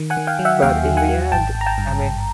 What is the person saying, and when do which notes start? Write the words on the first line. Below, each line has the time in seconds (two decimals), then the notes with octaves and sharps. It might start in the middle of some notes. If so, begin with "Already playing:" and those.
But in the end, I mean
Already playing: D#3
0.10 F#5 G#5
0.17 D#3
0.27 F5 G5
0.39 F#3
0.45 E5 F#5
0.62 D#2 F5 G5
0.85 F#3
0.97 F#5 G#5
1.09 F#3
1.32 G#1 G5 A5
1.55 G#1
1.61 A#5
1.66 G5 A5
1.78 G2
2.02 G#1